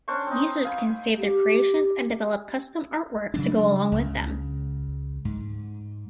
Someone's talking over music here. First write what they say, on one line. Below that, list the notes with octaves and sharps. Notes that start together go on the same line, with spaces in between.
Users can save their creations and develop custom artwork to go along with them.
C#4 D4 C5 C#6
C4 D#4
F5 G#5 B5
G4
C#3 F#3 D4
C#2 C#3
G#2